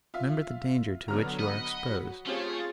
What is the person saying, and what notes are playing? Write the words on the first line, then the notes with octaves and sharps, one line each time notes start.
Remember the danger to which you are exposed.
F4 E5 F5
D3 F#3 B3 A#5 F6
D#5 F#5 B5
F#3
A3 C4 C#4 F4 G4 G#4 C#5